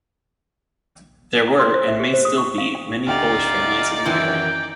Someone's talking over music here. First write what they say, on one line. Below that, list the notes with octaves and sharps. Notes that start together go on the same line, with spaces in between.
There were, and may still be, many Polish families in the area.
A#5
C6
C5
E5
G4
C5
D#6
C#6
F5
G5
D2 D#4 F4 G4 D5 F7
F#2 D#3 E3 F#3 G5